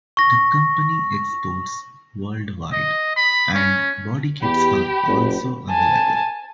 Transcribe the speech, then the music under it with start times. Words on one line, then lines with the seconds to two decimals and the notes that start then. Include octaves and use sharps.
The company exports worldwide and body kits are also available.
0.17 C#6 A#6
2.72 D#5
3.16 B5
3.54 C#4
4.42 E2 G4 B5
5.08 F#1
5.70 G#5 A5